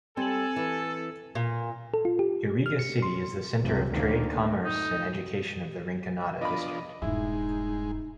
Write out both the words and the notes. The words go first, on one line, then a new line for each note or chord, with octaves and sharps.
Iriga City is the center of trade, commerce, and education of the Rinconada district.
G3 C4 A4 G#5 F#7
E3
A#2
A4
F4
G4
F6
C#7
C6
F1 C2 C3
D2 D3 D#3 F3 A#3
D#4
F3 B3 D4 D#5 B5
D#1 G2 G#3 D#4 E4